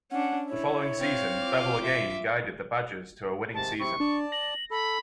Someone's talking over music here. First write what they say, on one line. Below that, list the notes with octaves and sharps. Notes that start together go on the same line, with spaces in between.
The following season, Bevell again guided the Badgers to a winning season.
C#4 D4 F#5
E4 C#5
C4 F5
F4 D6
E5
G#2 C3 D#3 A5
C3 C4 E4 C#6
D4 D5 A5
A#6 F#7
A4 B5